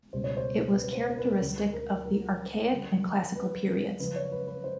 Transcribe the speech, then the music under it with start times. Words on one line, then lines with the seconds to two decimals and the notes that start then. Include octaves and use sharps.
It was characteristic of the Archaic and Classical periods.
0.12 C#2 B2 G3 A#3 C5
0.24 C#5
0.37 C5
0.77 B4
0.93 C5
1.10 A#4
1.18 B4
1.26 A#4
1.41 D2 D3 G3 B4
1.73 A#4
2.06 A#4
2.71 F#2 D3 G3 A#3
3.36 B4
4.00 F#2 C#3 F3 B4
4.16 C#5
4.32 B4
4.47 B4
4.64 C5